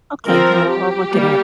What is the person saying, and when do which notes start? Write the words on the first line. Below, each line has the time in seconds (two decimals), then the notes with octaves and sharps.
okay. Well, I'll look it up.
0.27 F3 C4 A#4
0.70 G4
1.11 G3 A#3